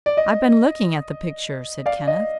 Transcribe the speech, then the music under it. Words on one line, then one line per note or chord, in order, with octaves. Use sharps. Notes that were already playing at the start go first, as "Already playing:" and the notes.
"I've been looking at the picture," said Kenneth.
D5
D#5
D5 F5
D#5